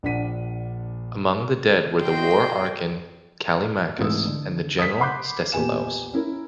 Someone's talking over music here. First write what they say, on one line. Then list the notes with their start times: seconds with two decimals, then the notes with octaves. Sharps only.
Among the dead were the war archon Callimachus and the general Stesilaos.
0.03 A#1 A#2 D4 F#5 B6 D#7
2.01 F#4 C5 D#5 G5 C6
3.98 C2 G#2 E3 A3 D#6 E6
4.26 D3
4.79 D#6 B6
5.00 F#5 B5 C6 D6 F#6 G6
5.52 A#1 E2 G4 B4 G#5 E7
6.13 C#4 E4 A#4